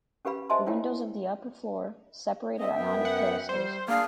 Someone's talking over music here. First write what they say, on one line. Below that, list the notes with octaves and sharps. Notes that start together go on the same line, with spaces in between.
The windows of the upper floor separated Ionic pilasters.
C#4 G4 B4 F5 B5
C5 D#5 E5 G#5 A5 C6
E4 F4 C#5 G5
C4 D#5 E5
F#2 B3 G5
F#5
G3 C5
A#3 D4 G#4 F5